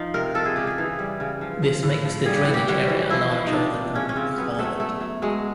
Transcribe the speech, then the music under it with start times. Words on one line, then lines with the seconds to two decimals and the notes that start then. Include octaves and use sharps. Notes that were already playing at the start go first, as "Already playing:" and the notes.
This makes the drainage area larger than the Republic of Ireland.
Already playing: F3 D#4
0.14 C3 A#4
0.35 F3 A4
0.45 G#4
0.56 C#3 G4
0.67 G#4
0.78 E3
0.99 G3
1.20 C#3
1.41 F3
1.62 F3
1.83 A2
2.05 F3
2.26 G3 G#4
2.36 G4
2.45 E3 F#4
2.54 G4
2.69 G3 F#4
2.89 E3
3.10 F3 E4
3.31 F3
3.47 D#4
3.53 C3 D4
3.73 C3
3.95 C#3 C#4
4.09 C#4
4.16 C#3 C4
4.38 F#3 B3
4.59 F#3 A3
4.80 F#3 A3
5.01 F#3
5.22 F#3 G#3